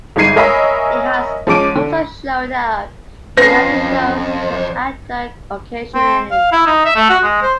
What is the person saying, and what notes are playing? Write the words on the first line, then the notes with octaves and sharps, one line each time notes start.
He has also showed up in other shows as an actor occasionally.
G1 G#3 D#4 G#6 C7 D#7
A#4 C#5 D#5 E5 G#5 B5
F3 G#3 C#4 D6 D7 D#7
D3
F2 C4 C#4 B4 A#6 C7
C4
F5
E4
D#4
E5
A3
F#4
G#3
C5